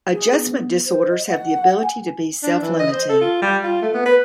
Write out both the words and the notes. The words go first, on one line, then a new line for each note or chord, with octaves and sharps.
Adjustment disorders have the ability to be self-limiting.
G#4
B3
C5
D#5
F#5
G#5
D4
E3
D#5
C5
A4
F4
G3
F4
A3
B3
B4